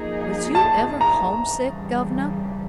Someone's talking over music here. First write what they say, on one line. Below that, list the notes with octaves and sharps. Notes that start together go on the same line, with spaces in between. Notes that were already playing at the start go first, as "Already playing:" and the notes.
Was you ever homesick, governor?'
Already playing: F3 A#3 D#4 G#4
A5
A#5
C#3 E3 G3